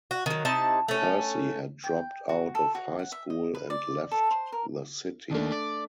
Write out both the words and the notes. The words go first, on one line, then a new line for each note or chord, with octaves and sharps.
Pursy had dropped out of high school and left the city.
F#4
D#3 F#3
C3 D#4 E4 A5
A3 C#4
G5
F#4
A4
F#4
F#5
E5
D#5
B4
D5
A4
C5
A#4
D#3 A3 A#3 D4
D5